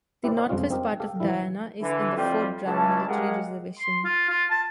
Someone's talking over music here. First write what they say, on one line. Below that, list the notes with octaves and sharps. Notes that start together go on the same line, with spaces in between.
The northwest part of Diana is in the Fort Drum military reservation.
E4 G4 B4 C5 D5
A#4 C5 D5 D#5 G5
F2 F3 G3 G#3 C#4 F4
C4 D#4 G4 A#4
G4 A4 F5
E3 F3 G3 E4
D3 E3
F2 A2 G3 F4 D5 G5
C#2 C#3 E3 G#3 C#5 A5
G#3 G4 G#4 A#4 F5 F#5
C6
F4
F4
A5